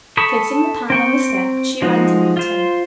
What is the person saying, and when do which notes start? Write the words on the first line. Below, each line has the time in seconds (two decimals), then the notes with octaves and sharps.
Placing the pan on the step, she ran to meet him.
0.17 A4 A5 B5 C#6 D#6
0.90 C4 G5 C#6
1.82 F3 G#3 D#4 F#4
2.37 F4 C5